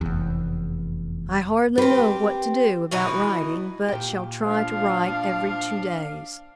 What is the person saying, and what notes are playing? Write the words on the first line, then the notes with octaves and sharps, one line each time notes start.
I hardly know what to do about writing, but shall try to write every two days.
F1 E2
C4 G4 A#4 B4
B2 E3 D#4
A#2 G4
F3 D4 F5